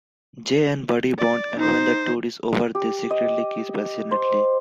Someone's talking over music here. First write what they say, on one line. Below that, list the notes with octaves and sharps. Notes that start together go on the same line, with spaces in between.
Jay and Buddy bond, and when the tour is over they secretly kiss passionately.
D5
D#4 C5
G4
D#5
C5